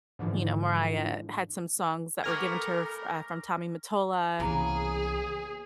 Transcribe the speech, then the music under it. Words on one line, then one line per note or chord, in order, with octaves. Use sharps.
you know, Mariah had some songs that were given to her, uh, from Tommy Mottola,
G#2 D3 E3 F3
A3 B3 A#4 G#5 C#6 D6 F6 A#6
C2 C#3 E3 F#3 A#3 B3 G#4